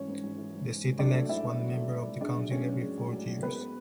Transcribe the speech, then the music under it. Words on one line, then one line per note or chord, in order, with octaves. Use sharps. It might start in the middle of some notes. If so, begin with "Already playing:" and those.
The seat elects one member of the council every four years.
Already playing: G#1 E3 C#4 C#5
G#2
G#1
E3
G#1
G#2
G#1
F#3 D4 D5
A3
G#2 E4 E5
G#1
F#3
A3
G#2
G#1
G#3 D4 D5
B1
A2 C#4 C#5
B1
G#3
B1
A2
B1
G#3 B3 B4